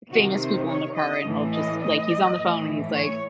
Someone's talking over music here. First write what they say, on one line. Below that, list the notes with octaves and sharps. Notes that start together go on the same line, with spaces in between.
famous people in the car, and he'll just like, he's on the phone, and he's like
C3 D#3 F#4
C5
C#5
D#5
A2 E3
D#5
D#5
A2 E3
C#5